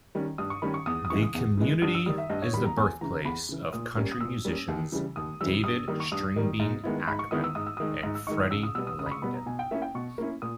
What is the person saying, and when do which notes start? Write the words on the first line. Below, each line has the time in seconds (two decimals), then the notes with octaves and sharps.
The community is the birthplace of country musicians David "Stringbean" Akeman and Freddie Langdon.
0.15 D#3 G3 C#4
0.38 G2 D#6
0.50 C#6
0.62 D#3 G3 C#4 B5
0.74 C#6
0.86 E2 D#6
1.05 D#6
1.10 C#3 E3 G#3 C#6
1.23 D#6
1.35 E2
1.57 C#3 E3 G#3
1.82 G2 D#6
1.95 E6
2.06 D#3 G3 D#6
2.18 E5
2.30 G2 D#5
2.42 C#5
2.53 D#3 G3 B5
2.65 A#5
2.77 E2 G#5
3.01 C#3 E3 A#5
3.25 E2 B5
3.49 C#3 E3
3.73 A#2 D#6
3.97 G3 A#3 C#4
4.12 D#6
4.21 A#2 E6
4.45 G3 A#3 C#4
4.68 D#2
4.92 C#3 E3 G3
5.16 D#2 D#6
5.41 C#3 E3 G3 E6
5.64 G2 D#6
5.88 D#3 G3 A#3 D#6
6.00 C#6
6.12 G2 D#6
6.36 D#3 G3 A#3
6.60 G#2
6.84 D#3 G#3 B3 E4
7.07 G#2 B5
7.19 C#6
7.31 D#3 G#3 B3 E4 D#6
7.44 E6
7.55 G#2 D#6
7.67 E6
7.77 D#3 G#3 D#4 D#6
8.03 G#2 D#6
8.15 E6
8.27 D#3 G#3 D#4 C#6
8.40 D#6
8.51 C#2 E6
8.63 D#6
8.75 B2 G3 B3 E6
8.87 D#6
8.99 C#2 D#6
9.06 B5
9.11 C#6
9.22 B2 G3 B3 B5
9.34 A#5
9.46 B2 G#5
9.59 G5
9.71 A#3 C#4 E4 E5
9.82 G5
9.95 B2 C#6
10.18 A#3 C#4 E4
10.42 A#2 D#6